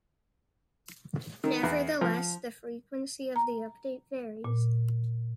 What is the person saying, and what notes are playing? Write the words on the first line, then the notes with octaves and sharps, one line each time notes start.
Nevertheless, the frequency of the update varies.
D#3
E2
F3
A#5
A#2